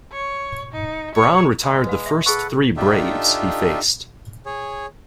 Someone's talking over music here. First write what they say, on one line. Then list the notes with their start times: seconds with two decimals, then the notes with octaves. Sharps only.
Brown retired the first three Braves he faced.
0.12 C#5
0.72 D#4
1.15 C#5
1.63 G#3
1.87 B4 F5 B5
2.06 E5
2.26 G#4 A4 B4 F#5 C#6
2.77 D4 D#4 F4 G4 A4 E5
4.46 G#4 C#5